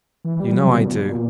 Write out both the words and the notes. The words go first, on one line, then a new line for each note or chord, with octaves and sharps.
"You know I do."
E3
G3
F#3
C#3
B2
A#2
B2
A#2